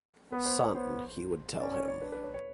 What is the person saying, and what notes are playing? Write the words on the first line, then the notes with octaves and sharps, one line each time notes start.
"Son," he would tell him.
B3 B4
C5
C#5
B3 C5
C#4 D5
C#5
C#5
D4 B4
B4
C#5
C#5